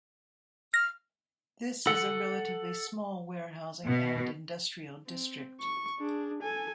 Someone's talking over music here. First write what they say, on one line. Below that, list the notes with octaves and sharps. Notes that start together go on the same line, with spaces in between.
This is a relatively small warehousing and industrial district.
F6 A#6
A4 F#5
B2
C4
C#6
D4 G#4
A4 G#5